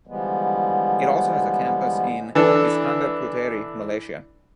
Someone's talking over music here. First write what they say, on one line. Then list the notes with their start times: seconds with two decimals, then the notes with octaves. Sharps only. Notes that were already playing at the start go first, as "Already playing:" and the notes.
It also has a campus in Iskandar Puteri, Malaysia.
0.07 D3 E3 F3 G3 G#3 B3
2.35 E3 D4 A4